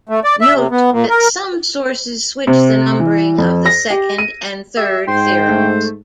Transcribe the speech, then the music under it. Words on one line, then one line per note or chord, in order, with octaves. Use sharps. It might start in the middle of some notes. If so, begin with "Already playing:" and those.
Note that some sources switch the numbering of the second and third theorems.
A3
D5
E5
C3
B3
A#2
A#4
C3
E3
F2
A#6
G4
D#7
G4 E5
G#2 C5 G5 C6
A3